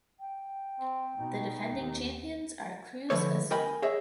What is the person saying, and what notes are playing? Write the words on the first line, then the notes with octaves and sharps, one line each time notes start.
The defending champions are Cruz Azul.
G5
C4
B2 D#4
D#2
D3 E3 F3 A3 B4 C#5
A#4 D#5 G5 G#5 B5
G#4 C#5 D#5 E5